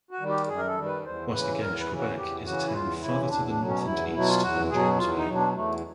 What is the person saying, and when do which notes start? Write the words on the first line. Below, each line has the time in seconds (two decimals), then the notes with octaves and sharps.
Waskaganish, Quebec, is a town farther to the north and east on James Bay.
0.11 F#4
0.20 D#3 G3
0.29 G4
0.48 F#2 G#4
0.58 A#4
0.66 A4
0.77 D#3 G3
0.85 B4
1.05 E2 C5
1.32 C#3 E3 B4
1.61 E2 A#4
1.79 B4
1.88 C#3 E3
1.98 F#4
2.17 E2 G4
2.45 C#3 E3 F#4
2.66 E4
2.73 E2 F4
3.01 C#3 E3 E4
3.29 E2 D4
3.48 D4
3.57 B2 F#3
3.67 C#4
3.85 E2 E4
4.14 B2 F#3 E4
4.28 F4
4.42 E2 F#4
4.70 B2 F#3 G#4
4.98 E2 F4
5.17 D#4
5.26 B2 F#3
5.35 D4
5.54 E2 A3